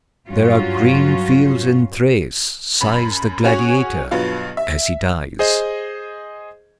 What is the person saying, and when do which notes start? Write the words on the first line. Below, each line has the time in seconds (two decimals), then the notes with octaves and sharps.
"There are green fields in Thrace," sighs the gladiator as he dies.
0.28 G2 F#3 C#4 F4 F#4
2.81 F#2 B5
3.45 C#4 F#4 G#4 C#5
4.11 G2 B2 F#3 B3 F4
4.57 E5
5.39 G#4 C5 D#5